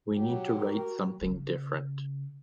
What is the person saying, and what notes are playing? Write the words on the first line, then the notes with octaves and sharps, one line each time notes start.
We need to write something different.
F#3 G4
F#4 A#4
C#3